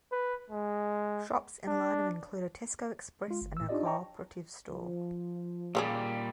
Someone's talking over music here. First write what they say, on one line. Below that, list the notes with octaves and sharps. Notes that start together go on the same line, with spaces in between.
Shops in Lyneham include a Tesco Express and a Co-Operative store.
B4
G#3
D4
G#3 F4
G1
A2 E6
D4 D#4 F4 G4 D5 D#5
C#5 D#5 G5 A5 A#5 C#6
F3
A#2 C#3 G3 C4 G#4